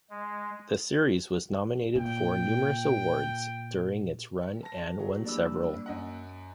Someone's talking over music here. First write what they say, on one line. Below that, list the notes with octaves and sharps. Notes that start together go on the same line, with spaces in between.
The series was nominated for numerous awards during its run, and won several.
G#3
A#2 G5
A5 A#6
F#3 G#4
E3 G3 A#3 D4 E6
F#2 D#5 F#5